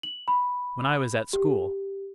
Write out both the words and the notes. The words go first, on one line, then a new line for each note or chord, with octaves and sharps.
When I was at school.
F#7
B5
G4